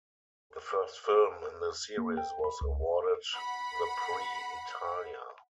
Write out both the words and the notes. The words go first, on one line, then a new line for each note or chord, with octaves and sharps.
The first film in the series was awarded the Prix Italia.
A#3
G5
B5
C#2
F#5 B5